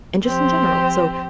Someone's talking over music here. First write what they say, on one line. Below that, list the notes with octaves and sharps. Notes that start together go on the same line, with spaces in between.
and just in general, so
F3 C4 G4 C5